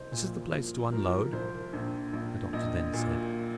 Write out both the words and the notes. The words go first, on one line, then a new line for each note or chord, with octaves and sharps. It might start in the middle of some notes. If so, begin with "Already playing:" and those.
"This is the place to unload," the doctor then said.
Already playing: C2 C5 D#5
A#2
F3
F3 A#4
C2 C5
A#1
A#1
A#1 D#5
A#2